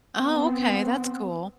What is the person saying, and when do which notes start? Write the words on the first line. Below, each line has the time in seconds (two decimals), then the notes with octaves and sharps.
Oh, okay, that's cool.
0.21 B3 C4